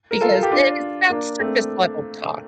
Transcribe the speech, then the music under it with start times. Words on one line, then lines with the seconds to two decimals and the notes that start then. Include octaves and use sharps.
Because then it's not surface level talk.
0.11 A#4
0.21 F4 A4
0.33 A4
0.43 G4
0.52 D4 F4
1.10 A#3 D4
1.39 A3 C4